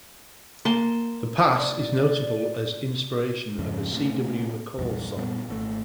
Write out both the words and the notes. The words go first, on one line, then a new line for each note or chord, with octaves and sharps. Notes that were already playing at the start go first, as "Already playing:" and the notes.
The pass is notable as inspiration of a C. W. McCall song.
A#3 A5 C6
D5
F2 G#2 C#3
A2 C3
A#1 E2 G2
A#2 G3 A3 B3
G#1 C3 A3